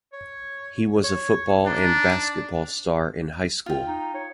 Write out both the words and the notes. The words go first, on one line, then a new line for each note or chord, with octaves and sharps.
He was a football and basketball star in high school.
C#5
C#5
D4 D#4
F4 G5
D#4
C#5